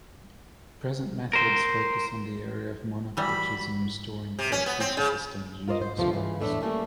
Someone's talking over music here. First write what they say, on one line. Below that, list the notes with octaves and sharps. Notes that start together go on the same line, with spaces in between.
Present methods focus on the area of monocultures and restoring correct ecosystems using soils.
A#4 C5
E3 G3 F#4 B5
C3
C#4
B3
C4
C#3
F4 A#4 C5 D5 D#5
G#2 C5
D2 C3 F3 A3 F4
G#2 C#3 E3
E2 A2 A3 D4 E5
G3 A3 A#3 C#4